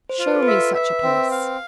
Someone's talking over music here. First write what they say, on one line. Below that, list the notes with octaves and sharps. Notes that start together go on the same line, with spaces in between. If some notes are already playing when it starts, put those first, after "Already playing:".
"Show me such a place!"
C5
F4
B4
A4
B4 E5
E5
C4
F5